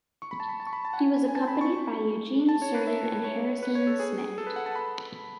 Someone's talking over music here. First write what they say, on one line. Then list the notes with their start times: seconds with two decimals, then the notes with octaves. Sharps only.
He was accompanied by Eugene Cernan and Harrison Schmitt.
0.22 C#6
0.31 B5
0.40 A5
0.49 B5
0.60 A5
0.67 C#6
0.73 B5
0.85 A5
0.93 F#5
0.98 G#5
1.28 G#5
1.35 A5
1.48 B5
1.61 C#6
2.49 A5
2.62 C#5
2.75 B4
2.87 E5
3.24 C#5
3.63 B4
3.75 C#5
3.87 A4
4.00 G#4
4.38 A4
4.47 B4
4.56 F#5
4.66 A5
4.76 B5